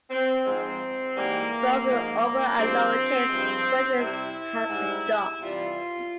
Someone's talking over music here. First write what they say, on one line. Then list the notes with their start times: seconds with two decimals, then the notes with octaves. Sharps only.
Both the upper and lower case versions have a dot.
0.10 C4
0.45 G#2 F3 G#3 C4
1.16 G#2 E3 G3 A#3
1.87 G#2 F3 G#3 A#3
2.57 G2 F3 G#3 C4
3.28 G2 F3 G#3
3.99 C3 G3 E4
4.70 G#2 G3
5.40 C3 E3 G3 F4